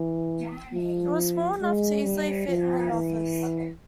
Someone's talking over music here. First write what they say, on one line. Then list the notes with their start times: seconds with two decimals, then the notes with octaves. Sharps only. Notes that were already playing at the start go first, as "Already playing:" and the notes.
It was small enough to easily fit in an office.
Already playing: E3
0.74 F3
1.61 G#3
2.04 G3
2.48 F3
2.92 E3